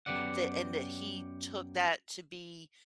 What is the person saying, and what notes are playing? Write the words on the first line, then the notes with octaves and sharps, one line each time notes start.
that and that he took that to be
F#2 F#3 B3 G4 D5 F#5